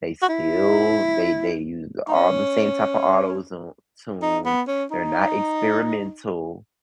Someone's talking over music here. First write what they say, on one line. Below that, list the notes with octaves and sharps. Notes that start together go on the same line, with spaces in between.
They still they they use all the same type of auto zo tune. They're not experimental,
F#4
E4
D#4
C#4
D#4
B3
C#4
D#4